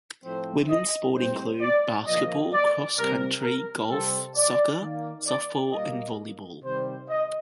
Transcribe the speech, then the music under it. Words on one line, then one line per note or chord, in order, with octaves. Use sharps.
Women's sports include basketball, cross country, golf, soccer, softball and volleyball.
A2 F3 A3 C4 C5
D#5
A2 G3 C4 C5
D5
A#2 F3 A#3 D#5
D5
C3 G3 C4 A#4
A#4
C3 G3 C4 A4
D5
D#3 A#3
D5
A#2 G3 A#3 D#5
C3 D#3 G3 C5
D#5